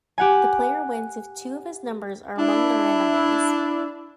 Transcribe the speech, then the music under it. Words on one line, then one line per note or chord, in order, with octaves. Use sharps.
The player wins if two of his numbers are among the random ones.
G4 F#5 G#5
D4 E4